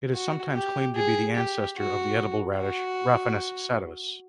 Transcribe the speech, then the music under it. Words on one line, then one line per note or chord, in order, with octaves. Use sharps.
It is sometimes claimed to be the ancestor of the edible radish, "Raphanus sativus".
F#4
G4
G#4
G4
F#4
F#4